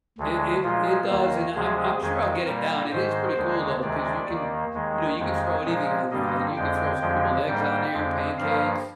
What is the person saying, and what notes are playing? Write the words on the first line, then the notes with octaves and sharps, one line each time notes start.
It it it does, and I'm I'm sure I'll get it down, it is pretty cool, though, 'cause you can, you know, you could throw anything on there, like, you could throw scrambled eggs on there, pancakes,
D2 D3 G#3
A#2 F3 G#3 F4
D#2 D#3 A#3
D2 C3 F3 G#3 G#4
F2 D#3 G#3
A#2 G3 A#3 A#4
G#2 D#3 G#3 C5
D#2 D3 G#3
D2 C3 D#3 G#3 D5
D#2 D#3 A#3
D#2 D#3 G#3
F2 D#3 G#3
A#2 F3 G#3
G2 D3 G3 A#3 D#5
F2 D3 G#3 G5
F2 D3 F3 G#3
G#2 G3 A#3 G5
F2 D3 G#3
G2 F3 A#3 F5